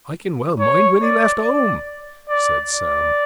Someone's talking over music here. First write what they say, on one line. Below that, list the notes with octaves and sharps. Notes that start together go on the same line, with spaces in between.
"I can well mind when he left home," said Sam.
C#5
D5
D5
D5
D5